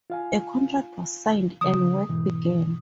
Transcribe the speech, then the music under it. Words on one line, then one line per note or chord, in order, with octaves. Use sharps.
A contract was signed, and work began.
F4 F5 G#5
C#3 F3 D#6
G#2 B2 E3